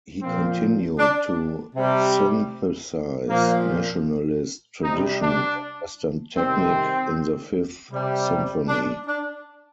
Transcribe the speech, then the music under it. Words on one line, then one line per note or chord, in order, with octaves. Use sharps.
He continued to synthesize nationalist tradition and Western technique in the Fifth Symphony.
A#2 F3 C4
D4
C3 G3
A#2 F3 A#3
C3 G3 D#4
D4
C3 D#3 G3 C4
C3 G3
D4
D4